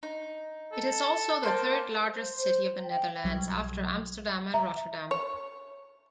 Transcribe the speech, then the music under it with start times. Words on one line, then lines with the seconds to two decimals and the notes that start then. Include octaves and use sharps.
It is also the third largest city of the Netherlands, after Amsterdam and Rotterdam.
0.03 D#4
0.73 A4
1.43 A#3 C5 A5
2.13 C5
2.85 G5
3.24 B1 F#3 G3 G#6
4.54 E5 A#5
5.11 C#5